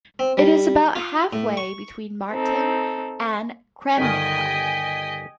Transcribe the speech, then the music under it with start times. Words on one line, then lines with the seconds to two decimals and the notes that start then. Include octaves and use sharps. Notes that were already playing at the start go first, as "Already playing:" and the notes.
It is about halfway between Martin and Kremnica.
0.19 C4
0.37 G3
0.95 F4
1.33 A2
1.57 C#6
2.31 C4 D#4 A4
3.97 G1 D#3 G3 D#5 G5 G#5 B6